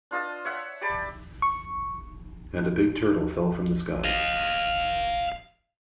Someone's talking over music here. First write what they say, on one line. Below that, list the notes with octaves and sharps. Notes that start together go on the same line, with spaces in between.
And a big turtle fell from the sky.
D4 F4 D#5 A5
C#5 E5 F#5
G4 D5 A5 B5
C#6
D#5 F5